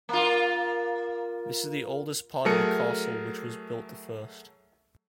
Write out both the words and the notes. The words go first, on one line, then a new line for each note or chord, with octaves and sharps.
This is the oldest part of the castle, which was built the first.
A#3 F4
F#3 A3 G#4 A#4 A5 C#7